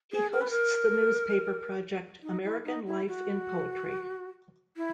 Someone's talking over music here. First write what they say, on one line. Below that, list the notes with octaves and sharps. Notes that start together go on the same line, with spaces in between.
He hosts the newspaper project American Life in Poetry.
G#4
A#4
B4
A#4
D#4
E4
D#4
E4
F#4
E4